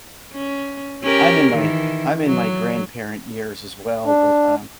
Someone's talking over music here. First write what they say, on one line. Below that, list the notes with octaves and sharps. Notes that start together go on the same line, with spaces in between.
I'm in my I'm in my grandparent years as well, but, um
C#4
C#4 G4 A#4
D#3 E3
F#3
D4